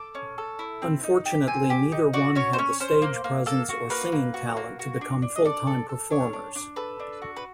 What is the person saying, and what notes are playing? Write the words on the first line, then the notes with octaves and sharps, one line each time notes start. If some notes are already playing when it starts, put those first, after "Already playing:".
Unfortunately neither one had the stage presence or singing talent to become full-time performers.
Already playing: A4 D6
C#4
A4
E4
C4
D#4
G4
C4 G#5
G4
D#4
F#4 D5
C#4 C#5
C5
C#4 C#5
C#4 C5
A#3
A#3
A#3 A4
F#4
A#3 B4
A#3
F#4
A#3
F#4
D4
D4
D#5
A4 D5
A4
A4
D4 C#5
D4
D4
A4 B4
D4
F#4
B4